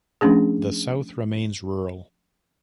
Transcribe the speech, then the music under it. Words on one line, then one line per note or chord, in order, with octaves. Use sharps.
The south remains rural.
F3 A3 C#4 D4 G#4